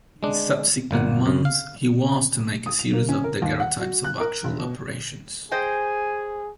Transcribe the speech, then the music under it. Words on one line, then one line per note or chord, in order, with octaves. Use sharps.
In subsequent months he was to make a series of daguerrotypes of actual operations.
G#3 D4
G1 A#2 A#3 F#5
F#2
F5
D#6
F7
A#3
C#4
A#4
D#2
F#5
F#4
F#6
A#4
E1
B2
G#4 C5 D#5 G5 G#5